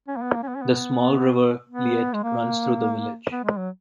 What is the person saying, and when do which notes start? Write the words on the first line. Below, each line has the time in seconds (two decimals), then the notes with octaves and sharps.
The small river Liette runs through the village.
0.08 C#4
0.17 A#3
0.22 B3
0.35 A#3
0.43 C#4
0.48 B3
0.56 C#4
0.62 B3
1.70 B3
2.13 G#3
2.23 A#3
3.32 B3
3.44 G#3
3.57 F#3